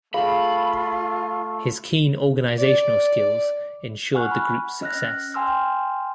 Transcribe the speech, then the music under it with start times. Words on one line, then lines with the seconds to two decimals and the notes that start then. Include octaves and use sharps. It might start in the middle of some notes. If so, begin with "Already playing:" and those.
His keen organizational skills ensured the group's success.
0.14 A3 F4 G#4 F5 B5
2.58 D5
4.15 F#5 G#5 C#6 F6 F#6
4.31 B5
4.81 C#4 D#5 F6 F#6 A#6
5.34 G5 G#5 C6 E6 F6